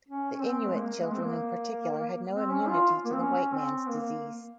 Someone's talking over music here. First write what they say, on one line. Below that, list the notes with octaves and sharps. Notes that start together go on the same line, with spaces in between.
The Inuit children in particular had no immunity to the "white man's disease".
C#4
C#4
C4
G#3
A#3
G#3
C4
A#3
C4
C#4
F4
A#3
C4
C#4
C4
A#3